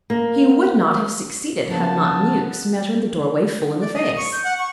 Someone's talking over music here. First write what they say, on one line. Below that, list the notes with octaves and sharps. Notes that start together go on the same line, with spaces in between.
He would not have succeeded had not Mewks met her in the doorway full in the face.
A#3
C#3 F3 A#3 B3 A5
D5
D#5
C#6
G6
F#5
C#6